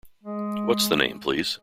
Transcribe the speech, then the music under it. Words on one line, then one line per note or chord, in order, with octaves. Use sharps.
What's the name, please?
G#3